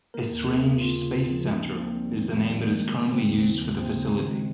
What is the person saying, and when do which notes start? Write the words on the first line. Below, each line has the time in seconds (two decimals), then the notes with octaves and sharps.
"Esrange Space Center" is the name that is currently used for the facility.
0.14 A#3 A#4
0.31 D#2
0.47 D#2 G#4
0.64 C#3
0.80 C#3 F4
0.98 C#3
1.13 D#2
1.30 F3
1.46 A#3 D#4
1.63 G3
1.80 A#3 C4
1.96 G3
2.13 D#3
2.29 F2
2.46 G3 A#3
2.62 D#3
2.79 G#3
2.96 C#3
3.12 C#3 C4
3.28 D#2
3.45 F3
3.62 D#2
3.79 D#2 C4
3.95 C#3
4.12 D#3
4.28 G#3